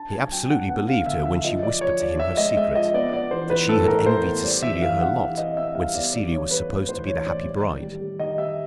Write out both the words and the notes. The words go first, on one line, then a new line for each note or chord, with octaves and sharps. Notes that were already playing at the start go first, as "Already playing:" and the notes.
He absolutely believed her when she whispered to him her secret,--that she had envied Cecilia her lot when Cecilia was supposed to be the happy bride.
Already playing: D4 A5
F#3 G#5
F#3 G5
D4 F#5
B3 F#5
D4 F5
D3 E5
F#3 E5
F3 D#5
F3 D5
F3 C#5
F3 D5
F3 E5
G#3 D#5
G#3 E5
F3 D#5
B3 D5
B3 D5
E3 C5
E3 B4
A2 A4
E3 A#4
E3 C5
B3
G3 D5
E3 E5
E3 F5
E3 F#5
E3
C4 D#5
C4 E5
G3 F5
B3 D5
E3 D5
E3 C#5
G3 B4
A2
E3 C5
E3 C#5
A2 D5
G3
D#3
G3
G3
D#3 D#5
G3 E5